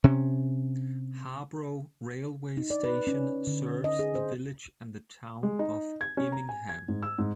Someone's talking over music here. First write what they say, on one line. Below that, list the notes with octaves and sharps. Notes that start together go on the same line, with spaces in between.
Habrough railway station serves the village and the town of Immingham.
C3 C#4
D#4
D5
B4
C#4
D3
D#5
G#4
C5
G#3
D#4
G#6
C#4
A#5
G#5
G#6
G#2
E6
G#2